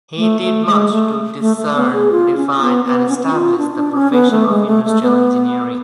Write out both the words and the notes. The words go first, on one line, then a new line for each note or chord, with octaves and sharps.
He did much to discern, define, and establish the profession of industrial engineering.
A3
A3
G#3
A3
A3
A3
B3
G#4
F4
C#4
B3
B3
C#4
B3
C#4
F4
D4
D4
C#4
B3
A3
G#3
A3
A3
B3